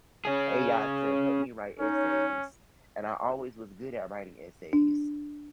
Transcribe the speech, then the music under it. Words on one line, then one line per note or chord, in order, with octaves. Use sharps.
AI to help me write essays, and I always was good at writing essays.
C#4 G#4
C#4 D#4 C#5
D4